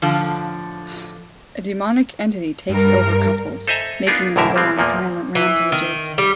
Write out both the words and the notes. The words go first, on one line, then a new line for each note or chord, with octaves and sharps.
A demonic entity takes over couples, making them go on violent rampages.
A2 D3 F3
G2 G3 A#4
A4 C5 D#5 E5 G#5 A#5
B3 D4 D#4 F4 G#4 A#4
B1 F#2 A2 D3 A#4 E5
G3 G#3 C4
E2 A#2 F3 A#3
E3
D#3
G3